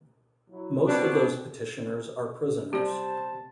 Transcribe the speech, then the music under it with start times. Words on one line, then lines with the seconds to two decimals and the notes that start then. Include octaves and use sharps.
Most of those petitioners are prisoners.
0.50 F#3 E4
0.87 B2 C4 D4
2.73 C3 G3 C4 G4 C5 D5 A5